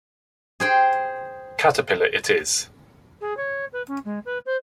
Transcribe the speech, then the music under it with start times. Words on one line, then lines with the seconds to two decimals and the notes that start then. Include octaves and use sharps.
Caterpillar it is.
0.60 G#4 C5 G5
3.21 G#4
3.37 C#5
3.72 B4
3.88 C#4
4.05 G#3
4.25 B4
4.45 C5